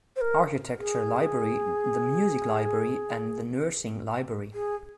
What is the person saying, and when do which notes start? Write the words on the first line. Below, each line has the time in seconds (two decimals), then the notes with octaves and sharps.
Architecture Library, the Music Library, and the Nursing Library.
0.16 C5
0.21 A#4
0.78 G#4
4.53 G#4